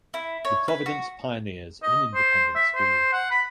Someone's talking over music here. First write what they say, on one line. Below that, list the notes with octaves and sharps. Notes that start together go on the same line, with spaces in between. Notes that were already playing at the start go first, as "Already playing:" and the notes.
The Providence Pioneers are an independent school.
E4
C#5
B4
F#4
D#5
C5
E5
C5
F#5
B5